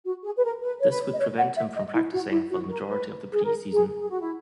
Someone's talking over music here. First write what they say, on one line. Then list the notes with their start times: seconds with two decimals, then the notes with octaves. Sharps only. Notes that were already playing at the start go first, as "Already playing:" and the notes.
This would prevent him from practicing for the majority of the preseason.
0.05 F#4
0.25 G#4
0.37 B4
0.44 A#4
0.62 B4
0.81 C#5
0.90 B4
1.14 D#5
1.19 C#5
1.37 F#5
1.56 E5
1.76 D#5
1.93 E4
2.13 F#4
2.31 E4
2.50 F#4
2.70 A#4
2.87 B4
3.32 G#4
3.44 A#4
3.72 G#4
4.00 G#4
4.10 F#4
4.21 E4